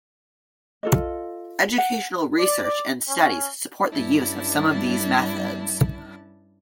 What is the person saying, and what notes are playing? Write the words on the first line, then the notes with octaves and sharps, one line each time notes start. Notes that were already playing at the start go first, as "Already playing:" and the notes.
Educational research and studies support the use of some of these methods.
F4 A4 D#5
F#5
D5
C#4
G2 G3 C#4 D4 E4 A5